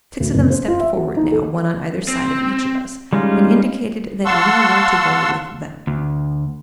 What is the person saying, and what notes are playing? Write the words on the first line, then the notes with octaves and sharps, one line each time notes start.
Six of them stepped forward now, one on either side of each of us, and indicated that we were to go with them.
D2
F#1
C5
F4
E5
F#4
D#4
A4
C4
G3 G#3 C#4 D#4 F4
F5 F#5 A5 C6 C#6 E6
D2